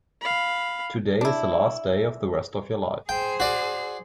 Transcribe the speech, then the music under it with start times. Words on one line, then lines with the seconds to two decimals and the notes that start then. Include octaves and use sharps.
Today is the last day of the rest of your life.
0.21 F5 B5
1.21 D4 E4
3.09 G#4 C5 G5
3.40 F#4 D5